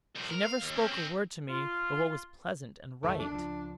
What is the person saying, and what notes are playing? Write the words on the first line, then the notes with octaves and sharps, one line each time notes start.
She never spoke a word to me but what was pleasant and right.
C2 A2
A#4
F5
D#2
C4 C#4
C4 G#4
F4
B1 F2 D#3 A3
D4
C#2 F3